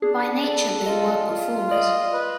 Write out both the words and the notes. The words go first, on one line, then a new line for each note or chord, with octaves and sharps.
By nature they were performers.
D4 G#4
A4 D5
F4 D#5
F4
D5 D#5
B4